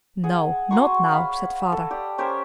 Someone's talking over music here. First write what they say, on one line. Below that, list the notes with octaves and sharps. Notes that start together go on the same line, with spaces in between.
"No, not now," said Father.
G#4 F#5
F#4 A#5 C6 C#6
C#5 F5 F#5 B5
A4
G4 D5 D#6
C#4 G4 A#4 C5